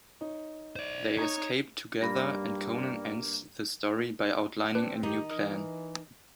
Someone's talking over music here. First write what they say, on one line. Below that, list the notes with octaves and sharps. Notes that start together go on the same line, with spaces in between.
They escape together and Conan ends the story by outlining a new plan.
D#4 C#5
C5 D5
D#4 C#5 A#5 C#6 G#6
G2 G3 A#3 B5 A#6
C4 D4 B4
D#3 D#4 G4
E3 A#4 D#5